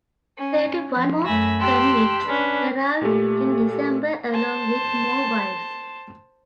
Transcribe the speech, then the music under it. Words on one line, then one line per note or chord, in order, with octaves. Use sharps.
Thirty-one more convicts arrived in December, along with more wives.
C#4
F3
F#2 A3 G#5 B5 E6 A#6
G4 G5 A5 C6 E6 F#6
C#4 D4 B4
A#2 A3 G4
G4
C5 A5